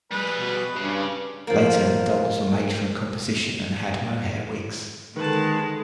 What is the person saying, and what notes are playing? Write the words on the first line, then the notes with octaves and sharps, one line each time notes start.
Later the dolls were made from composition and had mohair wigs.
G3 G#4 B4
B2
G2 C#3
F3 A#3
D3 D#3 G#3 B4 A5